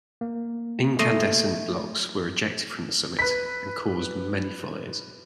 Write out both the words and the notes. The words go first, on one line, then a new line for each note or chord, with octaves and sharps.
Incandescent blocks were ejected from the summit and caused many fires.
A#3
A3 D#5 C6
B4 B6